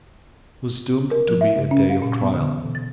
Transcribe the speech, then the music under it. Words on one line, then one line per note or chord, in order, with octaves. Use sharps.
It was doomed to be a day of trial.
A#4
F3
E5
C#3
C#4
F5
A#2
B3
D3
E3
B2
A6